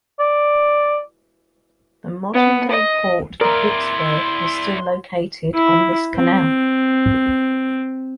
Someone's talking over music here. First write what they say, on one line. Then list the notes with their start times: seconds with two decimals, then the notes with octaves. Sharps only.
The modern-day port of Vicksburg is still located on this canal.
0.19 D5
2.33 B3
2.70 D#5
3.41 E4 A#4 D5 C6
5.53 E4
6.16 C4